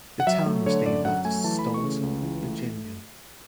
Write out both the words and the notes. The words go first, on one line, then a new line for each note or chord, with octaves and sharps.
The town was named after Staunton, Virginia.
F#5
F#3 E5
A3
D3 C#5
F#2 D5
F#3 F#5
A3 G#5
E3 A5
B5
A3
C#6
C#3
C#2
E3
A3